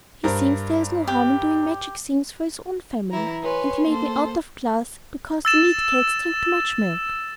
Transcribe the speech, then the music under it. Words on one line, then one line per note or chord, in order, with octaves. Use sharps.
He thinks there's no harm in doing magic things for his own family, and he made me out of glass because the meat cats drink too much milk.
G2 A#4 C5
G4
E3 E4 A#5
B4 C#5 G#5 C6
A#3 A4 C5
E6 A6 E7